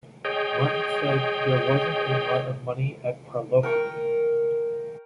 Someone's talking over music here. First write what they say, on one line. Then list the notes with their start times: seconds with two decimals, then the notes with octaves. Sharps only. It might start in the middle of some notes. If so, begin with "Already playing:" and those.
Martin said: There wasn't a lot of money at Parlophone.
0.25 G#4 C#5 D#5 G5
3.63 A#4 G5 C#6